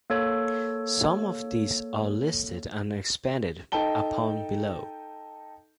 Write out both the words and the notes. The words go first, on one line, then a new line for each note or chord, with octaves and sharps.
Some of these are listed and expanded upon below.
A#3 A4 C#5
D#4 A4 D#5 G5 A5 G7